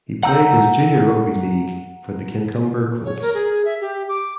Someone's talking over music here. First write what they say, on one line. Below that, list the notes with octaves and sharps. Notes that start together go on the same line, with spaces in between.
He played his junior rugby league for the Kincumber Colts.
F#5 A#5 E6 G6
C#5
A#4
G#4
E5
G4
D6